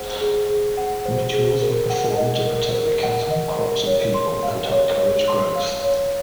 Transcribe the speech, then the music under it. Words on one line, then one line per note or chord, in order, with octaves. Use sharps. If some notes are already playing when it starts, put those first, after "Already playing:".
Rituals were performed to protect the cattle, crops and people, and to encourage growth.
Already playing: G#4 C5 F#5
G#4
G#4
F#5
C5
G#4
A#4
F#5
D#5
A#4
A#4
F#5
D#5
A#4
C#5
C6
F5
C#5
C#5
C6
F5
C#5